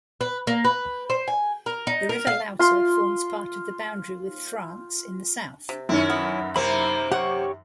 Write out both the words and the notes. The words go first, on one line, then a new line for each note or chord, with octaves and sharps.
The river Lauter forms part of the boundary with France in the south.
B4
A#3
B4
C5
G#5
A#4
D#4
A#4
F5
F4 C6
C3
F#2 D#3 C#4 E4
B3
C3 A#3 C4 E4 A#5 B5
G4 C#5 F#5 C#6